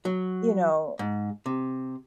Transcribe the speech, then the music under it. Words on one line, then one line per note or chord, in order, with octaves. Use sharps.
you know,
F#3
G#2
C3